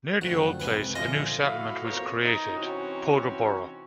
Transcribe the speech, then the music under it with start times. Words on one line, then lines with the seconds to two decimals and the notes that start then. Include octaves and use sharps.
Near the old place a new settlement was created, "Podobora".
0.21 F#2 D3 D#3 F3 A3 F#4
0.60 C#2 C3 B4 G#5
0.95 F2 A#2 D3 F4 D#5 E5 G#5
1.43 A2 E4 F#4 D#5 F5
1.84 F2 B2 A#4 C5 C#5
2.24 D#4
2.56 C3 E3 C4 C#4 D#4 F#4